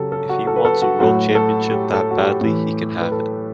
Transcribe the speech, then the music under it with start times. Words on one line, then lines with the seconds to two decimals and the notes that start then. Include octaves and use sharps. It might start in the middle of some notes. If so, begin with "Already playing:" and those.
If he wants the world championship that badly he can have it.
Already playing: C#3 F#3 G4 A4
0.12 A4
0.29 F#4
0.47 A4
0.56 B4
0.65 A4
0.82 F#4
1.00 A2 F#3 F#4
1.35 A4
1.70 G4
1.94 A4
2.11 F#4
2.18 G4
2.41 A2 E3
3.02 B4
3.12 A4